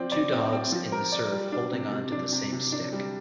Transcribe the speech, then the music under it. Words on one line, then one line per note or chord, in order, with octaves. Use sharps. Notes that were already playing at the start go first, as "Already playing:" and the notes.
Two dogs in the surf holding on to the same stick.
Already playing: F3 C4 D5
D5
C4
C4
F3
A#4
D5
G3
D4
C3
C3
D4
C3
C3
D4
G3